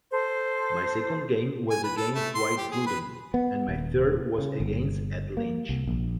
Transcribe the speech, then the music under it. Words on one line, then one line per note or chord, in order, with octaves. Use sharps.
My second game was against Dwight Gooden, and my third was against Ed Lynch.
A4 C5
G#5
B4
A4
A3
C6
G4
G#4
B4
B3
D#1
C#3
G1
A#3
C2
A#1